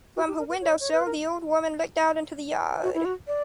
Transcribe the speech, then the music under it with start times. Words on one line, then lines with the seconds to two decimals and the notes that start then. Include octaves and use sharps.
From her window sill, the old woman looked out into the yard.
0.16 F#4
0.28 G4
0.39 A#4
0.49 B4
0.61 C#5
0.80 C#5
0.92 B4
1.06 A#4
2.83 F#4
2.94 E4
3.05 F#4
3.27 D5